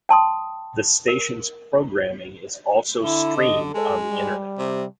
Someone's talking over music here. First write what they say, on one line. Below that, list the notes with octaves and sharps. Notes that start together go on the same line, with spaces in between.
The station's programming is also streamed on the Internet.
G5 A5 C6 D#6
A#4
D3 E4
D#5
G#3 A4
G3
C3